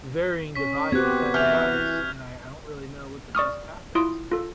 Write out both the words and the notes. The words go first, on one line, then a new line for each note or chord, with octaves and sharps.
varying devi uh, advice." And I I don't really know what the best path is.
C#4 C#6 B6
B3 C4 F#4 G4 F#6 G#6
E3 F6 G6 F7
D5 C#6 D#6 F6
E4 F4 C6 D#6 D7
F4 A4